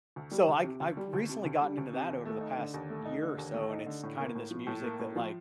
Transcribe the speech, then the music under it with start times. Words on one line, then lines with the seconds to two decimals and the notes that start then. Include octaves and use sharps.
So, I I've recently gotten into that over the past year or so, and it's kinda this music, that, like
0.16 D2
0.31 G3
0.48 D2
0.64 C3
0.80 D2
0.97 G3
1.13 D2
1.29 C3
1.44 D2
1.61 G3
1.78 D2
1.93 C3
2.09 D#2
2.25 A3
2.41 D#4
2.58 D3
2.74 D#2
2.90 A3
3.05 D#4
3.23 D3
3.38 D#2
3.54 A3
3.70 D#4
3.86 D3
4.03 A2
4.19 A#3
4.35 A2
4.51 F3
4.67 A2
4.83 A#3
4.99 A2
5.16 F3